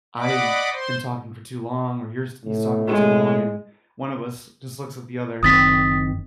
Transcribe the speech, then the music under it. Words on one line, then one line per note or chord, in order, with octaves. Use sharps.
I am talking for too long or here's he's talking for too long, and one of us just looks at the other,
D5 D#5 F#5 B5 D6
C5 C6
A2
G#3
F#1 D#3 C4 D#6 A6 B6